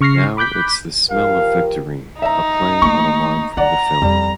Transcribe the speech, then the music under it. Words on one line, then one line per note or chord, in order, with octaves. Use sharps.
Now it's the smell of victory, a play on a line from the film.
C#3 C#6 F6 A#6 C7
B5 D6 F#6 G6 B6
F3 G4 A#4 F5
D#4 E5 A#5
A3 A#3 C#6
F4 D5 F#5 A#5
F2 G3